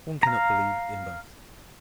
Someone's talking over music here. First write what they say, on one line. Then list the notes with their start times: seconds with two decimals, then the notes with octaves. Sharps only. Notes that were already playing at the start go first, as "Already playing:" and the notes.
One cannot believe in both.
0.23 F5 A#5